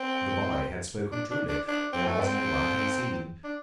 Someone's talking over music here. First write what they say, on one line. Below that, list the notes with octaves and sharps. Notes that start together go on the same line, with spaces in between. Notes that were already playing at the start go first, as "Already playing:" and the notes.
The boy had spoken truly; there was no one to be seen.
Already playing: C4
D4
D4
D4
D4
C4
A3
C4
D4